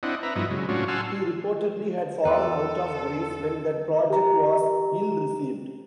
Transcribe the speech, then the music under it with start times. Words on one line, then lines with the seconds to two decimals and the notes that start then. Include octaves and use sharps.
He reportedly had fallen out of grace when that project was ill-received.
0.03 C4 D4 E4 D#5 F#5
0.23 B4 E5 A#5
0.36 G2 F3 B3 E4 F#4 D#5
0.51 C#3 F#3 G#3
0.69 A2 F#3 C#4 D4 F4 F#4
0.88 F#5 G#5 A5 C6 E6 F6
2.25 E2 A4 B4 D5 G5 C6
4.10 G4 A#5